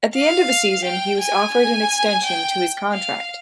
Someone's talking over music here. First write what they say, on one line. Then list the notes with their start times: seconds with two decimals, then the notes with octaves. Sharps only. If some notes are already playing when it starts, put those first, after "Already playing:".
At the end of the season he was offered an extension to his contract.
0.15 F5
0.85 G5
1.20 G#5
1.54 G#5
2.24 G5
2.93 F5